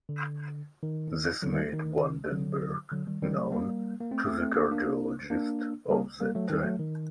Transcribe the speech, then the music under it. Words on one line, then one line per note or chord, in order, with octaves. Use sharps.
This made Van den Berg known to the cardiologists of that time.
D3
D#3
D3 F#3
D#3 G3
D#3
D3 F#3
D3 F#3
D#3 G3
D#3 G3
F#3 A3
G3 A#3
A#3
A3 C4
A3 C4
A3 C4
A#3 D4
A#3 D4
A#3 D4
G3 A#3
G3 A#3
F#3 A3
D#3 G3
F#3 A3
D#3